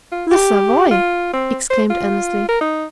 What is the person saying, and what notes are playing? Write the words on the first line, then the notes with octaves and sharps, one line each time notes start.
"The Savoy!" exclaimed Annesley.
F4
G4
F4
C4
C5
F4
A#4
D#4